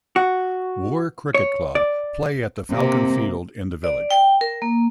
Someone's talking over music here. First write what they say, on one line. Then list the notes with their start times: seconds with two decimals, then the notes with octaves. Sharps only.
Woore Cricket Club play at the Falcon Field in the village.
0.16 F#4
1.35 C#5
1.75 D5
2.71 C3 A#3 C4
3.84 D5
4.11 G5
4.41 A#4
4.62 A#3